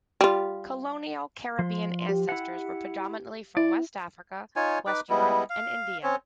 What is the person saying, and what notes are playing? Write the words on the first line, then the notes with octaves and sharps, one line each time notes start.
Colonial Caribbean ancestors were predominantly from West Africa, West Europe, and India.
G3 F4
F3 C6
G4
E4 F#5
E4 D5
D#4 F4 C#5 G#5
D#4 B4 D6
G3 G#3 B3 E4
F5
C4 C#4 C#5